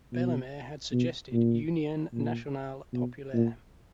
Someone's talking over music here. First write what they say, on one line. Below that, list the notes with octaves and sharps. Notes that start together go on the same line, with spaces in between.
Bellemare had suggested "Union Nationale Populaire".
B2
B2
A#2
A#2
B2
A#2